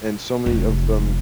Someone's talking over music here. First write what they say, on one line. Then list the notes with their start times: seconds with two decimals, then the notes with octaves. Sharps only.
and so many of them
0.46 F1